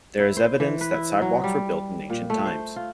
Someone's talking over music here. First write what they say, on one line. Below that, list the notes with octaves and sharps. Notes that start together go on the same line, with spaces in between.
There is evidence that sidewalks were built in ancient times.
E4
C5
E3
B4
E4
F#3
G3
A#2
A3
C5
F4